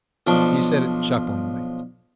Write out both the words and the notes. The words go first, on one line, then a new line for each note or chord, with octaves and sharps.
He said it chucklingly.
B1 F3 D4 C#6